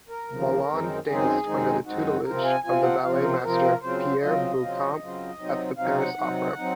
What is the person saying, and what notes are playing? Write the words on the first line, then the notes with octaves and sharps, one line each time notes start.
Balon danced under the tutelage of the balletmaster Pierre Beauchamp at the Paris Opera.
A#4
D#2 C#3 F3
F#2 D#3 G#3 C4 D#4
F#2 D#3 G#3 C4 D#4 G#4
F#2 D#3 G#3 C4 D#4
F#2 D#3 G#3 C4 D#4 F#4
C3 F3 C4 F4 A#4
G#5
C3 F3 C4 F4 G#5
F#5
C3 F3 C4 F4 F5
C#5
A#4
C5
C3 F3 C4 F4 A#4
C#3 F#3 C4 F4 C5
C#3 F#3 C4 F4 D#5
C#3 F#3 C4 F4
C#3 F#3 C4 F4
C3 F#3 C4 D#4
C3 F#3 C4 D#4 F5
F#5
C3 F#3 C4 D#4
F#3 C4 D#4